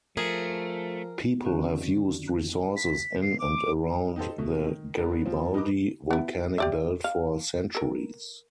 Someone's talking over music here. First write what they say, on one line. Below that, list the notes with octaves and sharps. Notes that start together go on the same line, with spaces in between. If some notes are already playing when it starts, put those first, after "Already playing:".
People have used resources in and around the Garibaldi Volcanic Belt for centuries.
F3 A3 G#4 A#4
D3 D#3 F#3 C4 C#4 F#4
B6
C7
D6
D#4 G4 A4 C5
B2 A3
D#3
B3 D4 A#4
F3 C4
D#4 A#4 B4 D#5 D6
B3 E4
G4 D5 E5
F5
A4 A#4